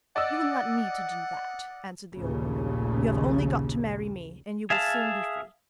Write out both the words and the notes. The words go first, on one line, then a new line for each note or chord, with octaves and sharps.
'You will not need to do that,' answered the old woman, 'you have only got to marry me, and you will soon be free.'
D5 D#5 F#5 E6
A#1 D#2 A#2 C#3 A3
G#4 E5 F5 A5